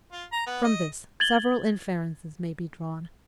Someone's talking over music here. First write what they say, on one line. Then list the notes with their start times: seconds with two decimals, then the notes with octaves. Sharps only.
From this several inferences may be drawn.
0.12 F4
0.32 A#5
0.46 B3
0.64 D#5
1.20 G#6 A6 F#7 G7